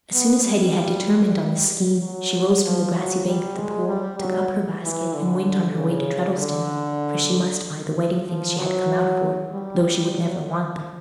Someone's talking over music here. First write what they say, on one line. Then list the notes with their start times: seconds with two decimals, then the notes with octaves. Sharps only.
As soon as Hetty had determined on this scheme, she rose from the grassy bank of the pool, took up her basket, and went on her way to Treddleston, for she must buy the wedding things she had come out for, though she would never want them.
0.13 B3
0.45 G3
2.00 F#3
2.64 F3
2.95 F#3
3.26 G3
3.57 G#3
3.88 G3
4.20 F#3
4.83 E3
5.14 D3
5.77 C#3
6.39 D3
8.27 F3
8.57 F#3
9.52 G3
10.14 F#3
10.45 F3